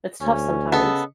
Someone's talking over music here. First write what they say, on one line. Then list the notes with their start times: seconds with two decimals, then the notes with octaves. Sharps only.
It's tough sometimes.
0.21 D2 C#4
0.72 C#3 B3 A4 D#5